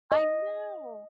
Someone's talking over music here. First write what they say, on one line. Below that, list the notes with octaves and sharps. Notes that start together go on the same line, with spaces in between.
I know.
D#5